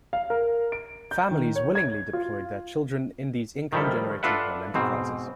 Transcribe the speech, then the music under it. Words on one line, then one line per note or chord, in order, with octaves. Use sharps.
Families willingly deployed their children in these income generating home enterprises.
F5
A#4
D7
G6
D#3
C#5
G#6
F4
D#3 F3 G3 E4 A4
D4 F4 A4 B4 E5 F#5
G#2 B2 C4